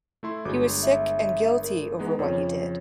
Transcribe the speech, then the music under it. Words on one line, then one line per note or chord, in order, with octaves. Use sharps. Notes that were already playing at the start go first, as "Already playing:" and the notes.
He was sick and guilty over what he did.
A3 E4 C6
G1 G#3 F#4 D6
E5
A#4
G#3 B3 D#4 B4
F2 C#3 F3 C#5